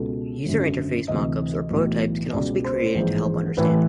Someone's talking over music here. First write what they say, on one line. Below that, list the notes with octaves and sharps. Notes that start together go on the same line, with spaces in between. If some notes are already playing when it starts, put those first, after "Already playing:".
User-interface mockups or prototypes can also be created to help understanding.
Already playing: C#2 B2 A4
G#1 F#2 D3
D2 C3 E3 D#5
B1 A2 E3
C#2 B2 D5
C5
A#1 G#2 E3
A1 A2 E3 B4